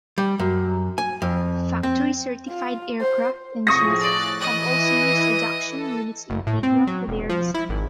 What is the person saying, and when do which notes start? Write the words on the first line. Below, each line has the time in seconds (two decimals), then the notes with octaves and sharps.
Factory certified aircraft engines have also used reduction units integral to their design.
0.18 G3
0.40 F#2
0.98 G#5
1.22 F2
1.83 C4
2.49 F4
3.01 C5
3.67 A2 F3 G#4 C#6 D#6 A#6
4.00 D5 F#6 A6
4.40 E3 D#5
5.68 A4
6.30 F#1
6.47 A2
6.63 C4
6.87 F#3
7.08 E1
7.29 F3
7.54 E4
7.69 G#1